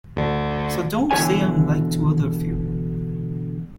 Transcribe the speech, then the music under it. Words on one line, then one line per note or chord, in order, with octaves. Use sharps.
So don't say I'm like to other few.
D2 D3
B2 D3 E3 G4 C#5 G#5